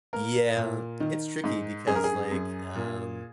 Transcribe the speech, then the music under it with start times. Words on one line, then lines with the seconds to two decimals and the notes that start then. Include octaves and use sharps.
Yeah, it's tricky because, like, um,
0.13 A#3 A#4
0.56 A#2
1.00 D#3
1.44 G#2
1.87 F#2 G#4
1.96 A#4
2.04 G#4
2.31 F#2
2.75 A#2